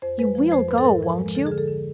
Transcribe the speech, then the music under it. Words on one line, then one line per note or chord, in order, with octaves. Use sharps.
'You WILL go, won't you?'
F2 C5
G#3 B4
F3
F2 C5
G#2 B4
A4
G#2 A#4
F3
G#3
D3 A4
D3 G#4
A4
D3